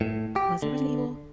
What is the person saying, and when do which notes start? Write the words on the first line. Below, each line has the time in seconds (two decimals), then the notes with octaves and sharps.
was it Resident Evil?
0.01 A2
0.36 G4
0.62 D3